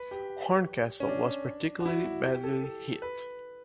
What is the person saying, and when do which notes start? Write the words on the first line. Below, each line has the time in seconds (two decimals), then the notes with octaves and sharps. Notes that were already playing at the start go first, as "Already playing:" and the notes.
Horncastle was particularly badly hit.
Already playing: B4
0.11 G4
1.00 C#4
1.08 D4
1.80 F#4
1.85 E4
2.05 F#4
2.25 G4
2.43 A4
2.63 A4
3.02 B4